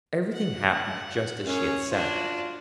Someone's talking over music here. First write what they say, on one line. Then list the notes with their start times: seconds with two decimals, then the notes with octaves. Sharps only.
Everything happened just as she had said.
0.32 F#5
1.46 F#2 G#4 C#5
1.91 D4 F4 F#4